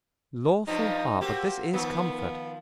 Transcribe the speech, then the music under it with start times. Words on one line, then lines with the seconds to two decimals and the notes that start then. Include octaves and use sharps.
Lawful heart, but this is comfort.
0.67 G2 F3 G3 D#4
1.21 A#3 C4 F#4 G4
1.73 D#3 F3 B3